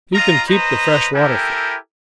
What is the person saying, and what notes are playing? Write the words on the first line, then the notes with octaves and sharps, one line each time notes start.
"You can keep the freshwater fish!"
F4 D#5 F5 A#5
B4 C5 D#5 A#5
E4 G4 A4 A#4 G5 G#5